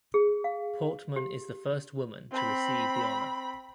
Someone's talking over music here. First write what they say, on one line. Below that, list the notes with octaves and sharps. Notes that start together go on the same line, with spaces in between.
Portman is the first woman to receive the honour.
G#4
F5
G4
C4 B5